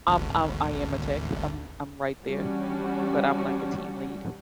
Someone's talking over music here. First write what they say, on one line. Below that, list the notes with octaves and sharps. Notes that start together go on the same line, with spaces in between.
um um, I am a tech, I'm I'm right there, mhm, but I'm like a team lead,
G#1 D2
E3 G3 C#4 D4 F#4